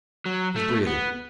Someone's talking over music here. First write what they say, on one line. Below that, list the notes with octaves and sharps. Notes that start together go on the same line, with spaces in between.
He's breathing.
F#3
A3
B3